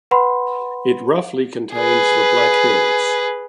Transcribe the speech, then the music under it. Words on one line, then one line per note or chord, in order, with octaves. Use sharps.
It roughly contains the Black Hills.
B4 F#5 B5 C6
G#4 B4